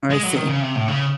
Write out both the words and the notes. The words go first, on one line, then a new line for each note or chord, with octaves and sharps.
I see.
G#3
F#3
D#3
C#3
C3
A2
C#3